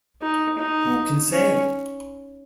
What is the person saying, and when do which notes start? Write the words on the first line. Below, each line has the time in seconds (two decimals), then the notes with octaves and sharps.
Who can say?
0.22 D#4
0.58 D#4
1.31 C#4